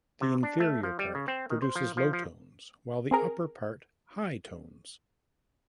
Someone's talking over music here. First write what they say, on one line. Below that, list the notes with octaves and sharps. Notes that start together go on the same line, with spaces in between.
The inferior part produces low tones while the upper part high tones.
C3
D4
A3
F3
G3
C#3
C4
D#3
C5
F3
F3
F3
C4 G#4 A#4